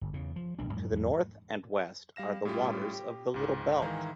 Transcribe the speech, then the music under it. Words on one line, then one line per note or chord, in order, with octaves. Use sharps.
To the north and west are the waters of the Little Belt.
G1
E2 C#3
F3
D1 B1 F#2 D4
F2 G#2 F#3
E2 G#2 F#3 A3
G3 F5 A#6 E7
A2 G3 C#4 F4 G4
G4
C#2 G#2
G#2 D#3 E3 F5 G#5 A#5